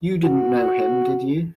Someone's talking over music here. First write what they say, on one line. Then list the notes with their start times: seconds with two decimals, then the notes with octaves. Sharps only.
You didn't know him, did you?
0.24 F#4